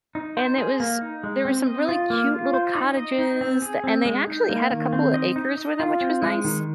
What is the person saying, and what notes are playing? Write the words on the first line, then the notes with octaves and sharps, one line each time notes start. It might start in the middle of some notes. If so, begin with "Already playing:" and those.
and it was there were some really cute little cottages, th and they actually had a couple of acres with 'em, which was nice.
D#4
C5
G#4
A#3
D#4
G#3
C4
D#5
F4
A#3
F4
C5
D#4
D#5
D#4
C4
G#4
C4
G#3
D#4
A#3
D#3
C4
D#5
D#4
D#5
F4
C4
G#3
D#3